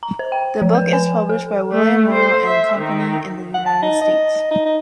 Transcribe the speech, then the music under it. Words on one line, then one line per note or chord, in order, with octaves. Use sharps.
The book is published by William Morrow and Company in the United States.
A#5
C5
G5
F3
B4
G#5
A4
A3
C5
E5
D#3
F#5
A5
D#4
D#5
D#4
D#4